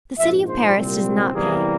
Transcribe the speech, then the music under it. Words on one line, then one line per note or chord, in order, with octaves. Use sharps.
The city of Paris does not pay.
A#1 G#2 F3 E5
C5
C2 A#2 G3 C4
E2 C3 E3 G3 A#3 G#4